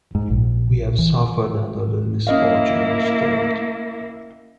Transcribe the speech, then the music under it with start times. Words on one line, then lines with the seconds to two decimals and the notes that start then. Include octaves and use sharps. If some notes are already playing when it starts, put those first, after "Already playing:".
We have suffered under the misfortune of austerity.
0.15 G#2
0.30 A#1
0.98 E3
2.27 A#3 C#4 E4 D#5 F5